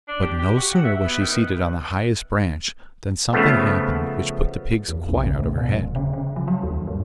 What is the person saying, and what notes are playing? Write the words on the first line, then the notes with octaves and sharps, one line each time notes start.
But no sooner was she seated on the highest branch than something happened which put the pigs quite out of her head.
D4
G4
G4
F#4
F#5
E5
B3
D#3
B3
C#3 F3 A3 B3
E2
A#1
C#3
A2
B2
D#1
C#3
C#3
F3
F#3
D#2
G2